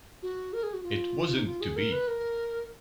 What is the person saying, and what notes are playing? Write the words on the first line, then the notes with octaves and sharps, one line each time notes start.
It wasn't to be.
F#4
A#4
G#4
F#4
F4
D#4
F4
G#4
A#4
B4
A#4